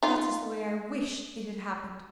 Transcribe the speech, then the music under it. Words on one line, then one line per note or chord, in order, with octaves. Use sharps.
That is the way I wish it had happened.
D#4 F4